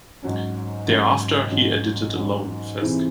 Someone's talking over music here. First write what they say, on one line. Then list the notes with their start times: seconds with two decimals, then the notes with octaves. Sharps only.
Thereafter, he edited alone fasc.
0.23 G#2 F#3 C#4
0.87 G#2 F#3 C#4
1.51 G#2 F#3 C#4
2.16 G#2 F#3 C#4
2.80 C3 E3 C4 D#4 G#4